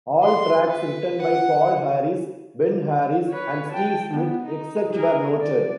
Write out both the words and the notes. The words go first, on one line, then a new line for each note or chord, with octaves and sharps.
All tracks written by Paul Harris, Ben Harris, and Steve Smith, except where noted.
C6
B4
F#5
B4 C#5
G5 A5
B3
D#4
G#4 A#4
D5